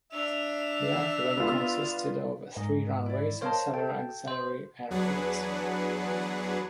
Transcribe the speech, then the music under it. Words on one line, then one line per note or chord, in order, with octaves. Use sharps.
The airfield consisted of three runways and several auxiliary airfields.
D4 E5 F7
B3 F4
G#2 D#5
E4 D5
A#4 C5 C#5 D#5 F5 A5
A4 G5
C5
E2 F#3 D4 G#4 B4 F#5